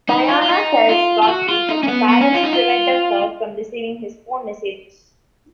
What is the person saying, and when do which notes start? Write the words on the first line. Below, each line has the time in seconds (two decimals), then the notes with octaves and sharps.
Diana tells Rocky that her parents prevented her from receiving his phone messages.
0.09 D#4
0.29 F4
0.42 F4
0.49 D#4
0.89 F4
1.23 F4
1.28 F#4
1.49 F4
1.69 D#4
1.83 C#4
1.88 B3
2.09 B3
2.21 C#4
2.35 F4
2.44 D#4
2.53 F4